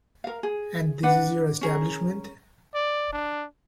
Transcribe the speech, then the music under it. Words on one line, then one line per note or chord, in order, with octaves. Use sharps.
And this is your establishment?
A#4 F5
G#4
D4 B4 F#5
C#4 G#4 A#4
D5
D4